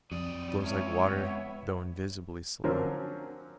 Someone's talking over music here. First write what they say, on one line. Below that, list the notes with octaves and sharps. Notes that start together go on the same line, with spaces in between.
"It flows like water, though invisibly slow."
F2 F#3 D5 D#6
G#3 C#4 E4 F4 C#5
B3 E5
D3 F3 F#3 C4 C#4 A#4